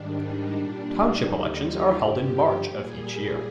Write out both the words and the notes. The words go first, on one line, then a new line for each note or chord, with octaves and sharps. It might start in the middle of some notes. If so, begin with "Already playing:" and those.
Township elections are held in March of each year.
Already playing: G#2 D#3 G3 D4
D#4
A#2 G3 D4
D#4
D#2 D3 G3
F4
G2 D3 F3 G4
A#2 G3 G#4
G#4